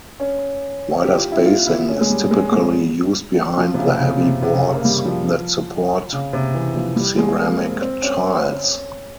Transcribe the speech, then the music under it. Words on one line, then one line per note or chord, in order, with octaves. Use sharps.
Wider spacing is typically used behind the heavy boards that support ceramic tiles.
C#4
G4
F4
E4
F4
E4
C#4
G#3
G3
G#3
G#3
F3
C3
C#3
C#3
C3
C3
C#3
A#3
G3
F3
C#3
C3
E3
F3
G3
G#3
A#3
C4
C4
C#4